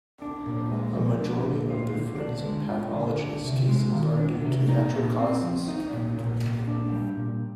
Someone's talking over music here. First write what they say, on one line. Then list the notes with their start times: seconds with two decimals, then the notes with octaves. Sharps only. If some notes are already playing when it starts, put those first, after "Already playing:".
A majority of the forensic pathologists cases are due to natural causes.
0.22 D4
0.46 A#2
0.71 G#3
0.96 F3
1.20 D4
1.46 A#2
1.70 F4
1.95 D3
2.20 D4
2.45 G#3
2.70 F4
2.95 D3
3.19 D4
3.44 C3
3.69 G#3
3.94 D#3
4.19 D4
4.43 C3
4.69 D#4
4.93 A#2
5.19 C4
5.43 F3
5.68 D#4
5.93 A#2
6.17 A#2
6.43 A#2
6.68 D4
6.92 G3
7.17 A#2